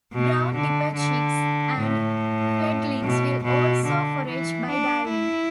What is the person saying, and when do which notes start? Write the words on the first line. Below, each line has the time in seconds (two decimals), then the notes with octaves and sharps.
Brown dipper chicks and fledglings will also forage by diving.
0.14 B2
0.55 D3
0.96 D3
1.79 A2
3.03 B2
3.44 B2
3.86 D3
4.27 E3
4.69 D4
5.10 E4